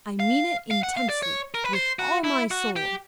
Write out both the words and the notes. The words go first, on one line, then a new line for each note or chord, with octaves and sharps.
I mean it intensely--with all my soul.
F5
F5
F#5
F5
D5
C#5
A#4
B4
C5
F#4
E4
F#4
G4